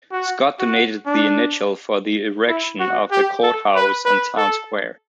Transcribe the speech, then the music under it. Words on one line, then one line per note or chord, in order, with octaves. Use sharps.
Scott donated the initial for the erection of a courthouse and town square.
F#4
F#4
D4
E4
F#4
G4
A4
B4
B4
A4